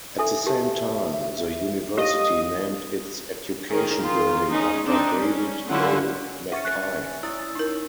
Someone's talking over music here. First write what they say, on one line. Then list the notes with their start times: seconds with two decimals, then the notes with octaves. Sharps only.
At the same time, the university named its education building after David O. McKay.
0.19 E4 A4 E5 G#5
0.47 G4 A#4 A5
1.97 G4 D#5 F5
3.69 D#3 C#4 G#4 A#4
3.99 D#3 F4
4.50 G#3 C#4 D#4
4.85 C4 D4 D#4
5.16 C#4
5.68 D3 F#3 C#4 E4 F4 F#5
6.52 C#4 E5 F#5 C#6 A6 C#7
6.65 F#6
7.23 E4 E6 A6
7.55 D#4 A#4